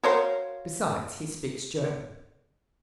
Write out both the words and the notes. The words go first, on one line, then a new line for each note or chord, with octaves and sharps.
Besides, he speaks German.
F#4 A#4 C5 C#5 F5